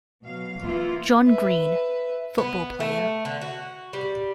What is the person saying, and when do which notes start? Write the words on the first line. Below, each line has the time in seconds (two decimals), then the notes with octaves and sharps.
John Green - football player.
0.23 B2 F#3 F5
0.61 E3 A#3 B3 E4 F4
1.23 B4 E5
2.38 B3
2.80 A3
3.25 D3
3.41 F#4
3.93 G3